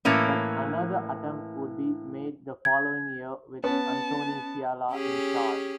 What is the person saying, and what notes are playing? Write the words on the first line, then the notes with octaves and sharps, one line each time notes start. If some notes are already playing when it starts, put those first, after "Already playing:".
But another attempt would be made the following year with Anthony Fiala in charge.
A2 E3 A#3 C#4
G#6
B3 C#4 A5
C#4 G4 G#4